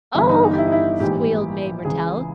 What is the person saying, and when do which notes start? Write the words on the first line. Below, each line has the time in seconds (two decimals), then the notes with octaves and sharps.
"Oh!" squealed Mae Mertelle.
0.15 G1 G2 E3 E4
0.29 D#4
0.44 D#4
0.53 G4
0.58 E4
0.67 D#4
0.72 E4
1.00 A#1 G#2 E3 G4
1.85 C#2 C#3 E3 G#4